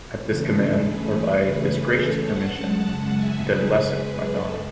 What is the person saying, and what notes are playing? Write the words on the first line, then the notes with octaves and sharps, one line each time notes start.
At this command, or by this gracious permission, the lesson went on.
C#3 E3 A3 C#4 A4
G#4 B4
A4 C#5
F#5 A5
F#2 C#3 G#3
E5 G#5
G#4 B4
A4